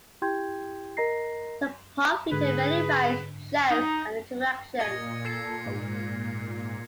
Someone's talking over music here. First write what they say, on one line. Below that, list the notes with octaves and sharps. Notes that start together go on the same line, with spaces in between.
The park featured many rides, shows, and attractions.
E4 G4 G5 C6 G6 G#6
A#4 D#5 A#5 A#6 C7
G#2 D3 G#4 B4
D#4
A#2 D#5 G#6 A#6 C#7
A4 C7
G#2